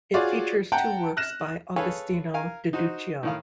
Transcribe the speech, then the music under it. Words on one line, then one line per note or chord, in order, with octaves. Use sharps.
It features two works by Agostino di Duccio.
F4 F#4 G#4 C#5 D5
F#5 G5 A5 A#5
F6 F#6 A#6 E7
G#4 A4 B4 C#5 F5
A#4 F5 G#5
D#4 F#4 C5
A2 D#3 F5